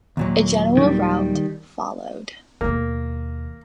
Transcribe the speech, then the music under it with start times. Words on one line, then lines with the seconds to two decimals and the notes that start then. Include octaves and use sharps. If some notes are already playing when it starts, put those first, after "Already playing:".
A general rout followed.
0.17 D#2 A#2 F#3
0.77 D#3 G3
2.61 D#2 B2 A#3